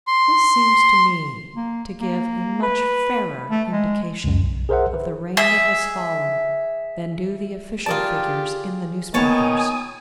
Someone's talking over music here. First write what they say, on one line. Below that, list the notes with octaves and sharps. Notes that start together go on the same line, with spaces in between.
This seems to me to give a much fairer indication of the rain that has fallen than do the official figures in the newspapers.
C6
A#3
A#3
B4
A3
G#3
C#2 F#2
B1
G#4 A#4 C5 E5 F#5
B4
G#4 E5
F4 G4 G#4 A#4 D5 A5
D#3 A#3 B3 C#5 G#5 A5 D#6